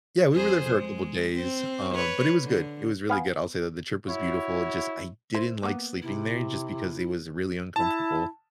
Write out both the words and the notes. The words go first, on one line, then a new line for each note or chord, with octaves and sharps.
Yeah, we were there for a couple days, um, but it was good. It was really good. I'll say that the trip was beautiful, it just I didn't like sleeping there just because it was really uncomfortable.
F2 G#4 C5
G#3
C4
B4 C#5
D3
B3 F5 G#5
E4 F#4 C#5
E4 C5
A#3 B3
C3 E4
E4 A5